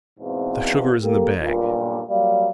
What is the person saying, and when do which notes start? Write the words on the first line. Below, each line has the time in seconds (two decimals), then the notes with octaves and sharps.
The sugar is in the bag.
0.19 E2 G#2 B2 C4 F5
1.02 A#3 G4 A4 A#4
1.41 B1 G2 A#2
2.10 F#3 G3 A#3 D5 F5